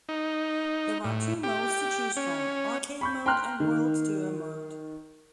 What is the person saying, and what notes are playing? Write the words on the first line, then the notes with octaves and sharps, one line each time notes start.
There are two modes to choose from: Arcade Mode and World Tour mode.
D#4
A2
G4
C#4
B5 C#6 G6
G5 A#5 C6 F6 F#6
D#3